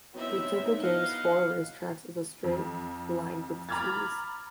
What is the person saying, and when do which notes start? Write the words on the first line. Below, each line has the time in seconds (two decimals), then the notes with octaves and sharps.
Each of the game's four race tracks is a straight lined with trees.
0.14 F#3 B3 C4 D#4 E4 E5
0.83 D#5 F5 F#5
2.44 F2
3.69 A#5 B5 D6 F6 G#6 A6